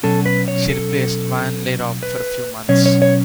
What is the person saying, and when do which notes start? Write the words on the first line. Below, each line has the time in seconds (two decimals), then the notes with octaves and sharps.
She replaced Van Lierop for a few months.
0.03 B2 F#3 C#4 A4
0.26 B4
0.48 C#5
0.70 A4
2.03 B4
2.68 B2 F#3 C#4 C#5
2.86 C#5
3.02 C#5